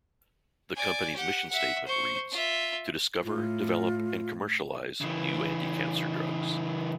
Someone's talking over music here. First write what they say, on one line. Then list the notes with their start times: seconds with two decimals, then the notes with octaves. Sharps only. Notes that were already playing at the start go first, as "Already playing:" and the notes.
The company's mission statement reads ... to discover, develop and commercialize new anticancer drugs.
0.76 D5 G#5
1.16 G4 F#5
1.49 E5 F#5
1.87 C5 C#6
2.32 F4 E5
3.23 A2 F4
5.01 C#3 E3